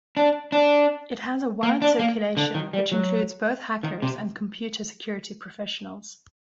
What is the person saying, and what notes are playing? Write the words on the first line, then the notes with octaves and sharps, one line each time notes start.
It has a wide circulation which includes both hackers and computer security professionals.
D4
D4
A#3
D4
A#3
D3
D#3
G3
F#3
D#3
C3